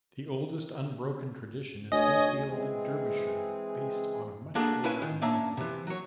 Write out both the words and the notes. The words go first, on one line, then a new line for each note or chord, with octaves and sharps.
The oldest unbroken tradition is Hayfield, Derbyshire based on a much older May Fair.
D2 C#5 D#5 G#5
E3 G#3 C4 G#4
A#3 D4 F#4 G#4 A4
C#4 E4 B4 F5 G#5
D#3
A#3 C#4 D4 E5 A5 A#5
C3 E3
F#3 C#5